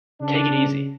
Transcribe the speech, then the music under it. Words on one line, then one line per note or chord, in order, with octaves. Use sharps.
Take it easy!
C#3 D4